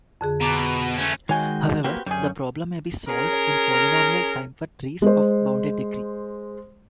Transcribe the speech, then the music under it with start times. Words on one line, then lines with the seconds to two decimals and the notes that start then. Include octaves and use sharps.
However, the problem may be solved in polynomial time for trees of bounded degree.
0.21 F2 D3 G#4
0.40 B2 A#5 D6 A6
0.98 A3 C#4
1.29 D#3 G#3 F#4 C#5 G5 G#5
1.84 A#3 C4 F#4 G4 B4
2.06 F#2 D3 G3 C#4 G#4 G6
3.08 C#4 G#4 A#4
5.02 G#3 C5